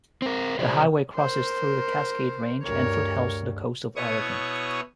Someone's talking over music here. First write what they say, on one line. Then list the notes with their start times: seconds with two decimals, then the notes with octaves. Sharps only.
The highway crosses through the Cascade Range and foothills to the coast of Oregon.
0.22 C4 A#4
0.59 C3 F#3 G#4 C5 D5
1.15 A#4 C5
2.64 D2 G2 A#4 C#5
3.96 B2 B3 E4 C#5 C#6 D#6